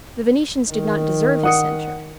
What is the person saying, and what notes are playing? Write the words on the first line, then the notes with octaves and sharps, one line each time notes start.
The Venetians did not deserve his censure.
D#3
F#5 D#6 C#7